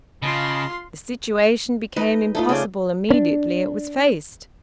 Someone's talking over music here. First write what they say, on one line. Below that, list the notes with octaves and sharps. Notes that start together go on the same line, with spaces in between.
The situation became impossible immediately it was faced.
C#3 F4 D#5 A5 B5 C6
D#4 B4 D#5
A3 D#4 F4
C#3 D5
C#4 D4